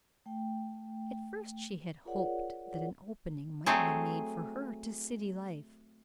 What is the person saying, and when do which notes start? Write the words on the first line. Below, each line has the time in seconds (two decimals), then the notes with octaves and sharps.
At first, she had hoped that an opening might be made for her to city life.
0.26 A3 G5
2.05 F4 G#4 A#4 C#5 D5 F#5
3.66 F#3 A3 C4 G#4